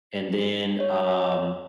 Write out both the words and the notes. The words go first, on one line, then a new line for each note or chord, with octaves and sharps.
and then, um,
C#5